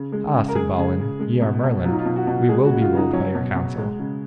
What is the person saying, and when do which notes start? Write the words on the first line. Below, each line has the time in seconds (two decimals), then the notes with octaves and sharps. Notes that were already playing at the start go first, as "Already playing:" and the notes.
Ah! said Balin, ye are Merlin; we will be ruled by your counsel.
Already playing: C#3
0.12 G#3
0.34 C#3
0.48 A#4
0.55 G#3 G#4
0.78 C#3
0.99 C#3
1.19 G#3
1.42 B2
1.63 B2
1.85 F#3 F4
1.91 D#4
1.99 F4
2.05 B2
2.16 F#4
2.27 B2
2.49 G#3 G#4
2.65 F#4
2.70 C#3
2.81 F4
2.92 C#3 D#4
3.13 F#3 C#4
3.35 B2
3.56 B2
3.78 G#3
3.99 C#3